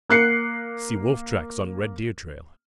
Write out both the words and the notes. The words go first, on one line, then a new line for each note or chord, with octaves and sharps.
See wolf-tracks on red deer trail.
A#3 F#6 C7 C#7